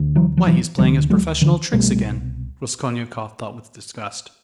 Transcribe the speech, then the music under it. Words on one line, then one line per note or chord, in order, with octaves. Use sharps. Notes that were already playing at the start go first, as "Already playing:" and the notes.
"Why, he's playing his professional tricks again," Raskolnikov thought with disgust.
Already playing: D2 D3
E3 F#3
F3
E3 F#3
D2 D3 F3 G3
F#3 G#3
D3 E3
C2 B2 G3 A3